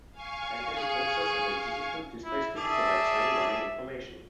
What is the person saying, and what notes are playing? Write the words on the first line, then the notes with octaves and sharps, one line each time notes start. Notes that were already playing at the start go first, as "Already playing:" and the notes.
Timetable posters and a digital display screen provide train running information.
F5 G#5 C#6
G#4
E4
G#4 D5 E5 A5